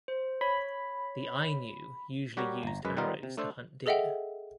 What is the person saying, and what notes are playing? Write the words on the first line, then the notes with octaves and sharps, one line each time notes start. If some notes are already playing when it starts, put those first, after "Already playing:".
The Ainu usually used arrows to hunt deer.
C5
C#5 B5
G3 F#4 G4 A#4 C#5 A#5
G1 A#5
F#2 G#3 B4
D#3 G3 B3 D#4 F4 A#4
C3
A3 D4 A4 C5 D5
G#4 A4 D#5 E5 F#5 G5